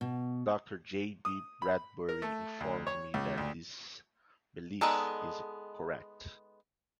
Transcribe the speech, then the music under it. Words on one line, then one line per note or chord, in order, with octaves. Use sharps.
Dr. J. B. Bradbury informs me that this belief is correct.
B2
D#6
B5
A#4
A3
D2
C#5
C#2
D2
G#3 B3 D#4 A4 D5